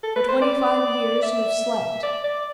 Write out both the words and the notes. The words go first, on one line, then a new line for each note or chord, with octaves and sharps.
For twenty-five years you have slept.
A4
B4
C5
D5
E5
D5
D5